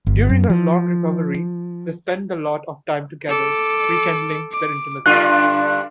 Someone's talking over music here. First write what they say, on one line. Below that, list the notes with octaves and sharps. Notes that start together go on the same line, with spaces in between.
During her long recovery, they spend a lot of time together, rekindling their intimacy.
G1
F#2
F3
A4 D6
D6
G2 D3 D4 F4 F#6